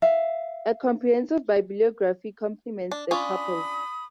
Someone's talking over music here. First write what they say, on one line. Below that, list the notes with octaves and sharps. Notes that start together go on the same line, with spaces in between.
A comprehensive bibliography complements the corpus.
E5 F5
D4
C#4 D4 F4 B5 D#6